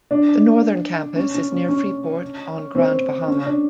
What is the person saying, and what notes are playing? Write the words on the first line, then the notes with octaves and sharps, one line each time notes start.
The Northern Campus is near Freeport on Grand Bahama.
D4
C#4
C#4
C#4
C#4
C4
C#4
D4